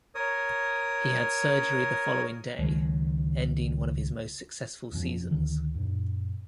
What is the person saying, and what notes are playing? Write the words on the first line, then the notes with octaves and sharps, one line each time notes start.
He had surgery the following day, ending one of his most successful seasons.
A#4 C#5 D#6
C#2 D#3 F#3 G#3
G1 F2 F3 C#4
D2 D3 D#3
F#2 A#2